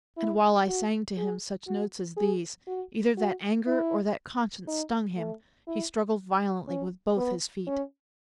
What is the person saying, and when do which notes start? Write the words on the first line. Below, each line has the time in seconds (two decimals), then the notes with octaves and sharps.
And while I sang to him such notes as these, Either that anger or that conscience stung him, He struggled violently with both his feet.
0.17 E4
0.67 F#4
1.17 G#4
1.67 F#4
2.17 G#4
2.67 F#4
3.18 F#4
3.67 E4
4.67 D#4
5.17 A3
5.68 E4
6.68 C#4
7.17 B3
7.67 C#4